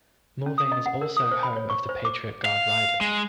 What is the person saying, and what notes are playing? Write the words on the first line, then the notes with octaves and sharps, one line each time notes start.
Mulvane is also home of the Patriot Guard Riders.
C#4
D#6
D#5
F#5
A#4
D#6
C5
B5
C#5
C#6
C5
D6
F5
G#3